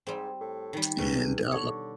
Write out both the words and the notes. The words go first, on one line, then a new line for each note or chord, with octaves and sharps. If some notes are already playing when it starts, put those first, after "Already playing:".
and, uh,
G#2 G3 C4
A2
D#3 G3
E2 B2
D3 C#5